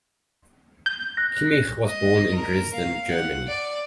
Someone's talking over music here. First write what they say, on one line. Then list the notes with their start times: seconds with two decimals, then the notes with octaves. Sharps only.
Kimmich was born in Dresden, Germany.
0.86 G6
1.17 F#6 A#6
1.87 D#5
2.34 A#4
2.74 F5
3.08 F#5
3.48 D5